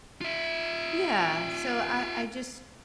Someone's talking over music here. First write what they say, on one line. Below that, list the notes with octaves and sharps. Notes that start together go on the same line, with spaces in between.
Yeah. So, I I just
F4 E5